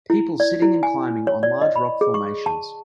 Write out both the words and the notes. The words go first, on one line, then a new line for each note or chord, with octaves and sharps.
People sitting and climbing on large rock formations.
E4
D5
E4
G#5
C#5
D5
D#5
B5
G#4
C#6
A5